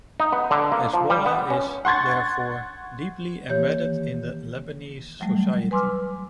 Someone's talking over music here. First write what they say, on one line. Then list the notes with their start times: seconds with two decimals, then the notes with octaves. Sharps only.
Hezbollah is, therefore, deeply embedded in the Lebanese society.
0.20 D#4
0.32 B3
0.51 D3
0.72 A#3
0.94 F3
1.10 G3
1.26 B3
1.50 C#4
1.85 F#5 C6 C#6 G#6 A6
3.49 D#3 E3 A#3 G4 C#5 G6
5.20 E3 F#3 G3 A3
5.71 B4 G#5 C6 D6 E6 F6